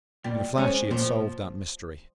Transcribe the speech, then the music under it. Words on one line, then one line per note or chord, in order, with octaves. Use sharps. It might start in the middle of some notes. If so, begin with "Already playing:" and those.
In a flash he had solved that mystery.
A#2 G3
F3 G#3 C#4
A#2 F3